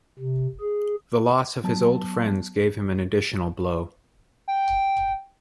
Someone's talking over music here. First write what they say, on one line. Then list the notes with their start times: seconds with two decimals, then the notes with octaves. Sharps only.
The loss of his old friends gave him an additional blow.
0.19 C3
0.60 G#4
1.64 F#3 B3 A5
4.48 G5